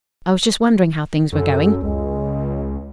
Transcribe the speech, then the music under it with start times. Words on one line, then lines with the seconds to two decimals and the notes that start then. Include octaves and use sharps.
"I was just wondering how things were going."
1.32 F#2 A4
1.82 C#2 G#3